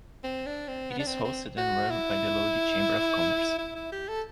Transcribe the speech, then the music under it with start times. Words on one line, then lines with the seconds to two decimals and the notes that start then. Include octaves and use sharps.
It is hosted and run by the Lodi Chamber of Commerce.
0.24 C4
0.46 D4
0.68 C4
0.90 B3
0.99 D4
1.07 C4
1.24 C4
1.57 F#4
1.91 E4
3.58 E4
3.75 E4
3.92 G4
4.08 A4